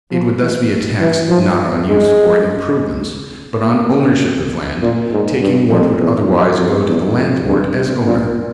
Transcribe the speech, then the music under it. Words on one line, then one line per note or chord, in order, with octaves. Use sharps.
It would thus be a tax, not on use or improvements, but on ownership of land, taking what would otherwise go to the landlord as owner.
F3
E3
E3
F3
G#3
A#3
A#2
G#2
G2
F2
E2
E2
F2
E2
F2
G2
C3
A#2